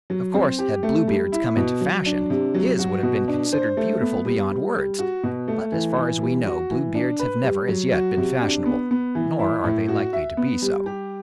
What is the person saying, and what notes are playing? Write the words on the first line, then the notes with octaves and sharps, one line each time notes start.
Of course had blue beards come into fashion his would have been considered beautiful beyond words, but, as far as we know, blue beards have never as yet been fashionable, nor are they likely to be so.
F#3
C4
G4
A3
G3
E4
B2
F#3
D4
C3
F#3
F#4
B2
D4
C5
A3
B3
G3
G3
G3
F#4
B2
A3
E3
E3
G3
F#4
E3
D4
B4
G3
F#3
F#4
C3
D4
B3
B3
E3
E4
A2
F#4
E5
B3
G3
G4